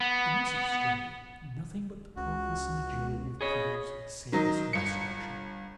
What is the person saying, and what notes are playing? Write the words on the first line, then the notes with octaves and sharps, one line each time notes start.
In this extremity nothing but the promptness and agility of Peters saved us from destruction.
B3
C#2 F#4
G#4 C#5 D#5 B5
D#3 F#3 D#4
G1 C#7